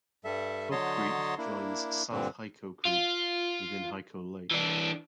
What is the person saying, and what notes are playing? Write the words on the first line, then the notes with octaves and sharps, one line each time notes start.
Cub Creek joins South Hyco Creek within Hyco Lake.
G2 G3 A4 E5
D3 F#3 C#5 D#5 A5 C6
A#3 D4 E4
G2 A#2 D3 C4 D4
F4
E3 D4